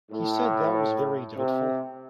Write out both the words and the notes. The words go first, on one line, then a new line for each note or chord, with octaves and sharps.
He said that was very doubtful.
A2
C3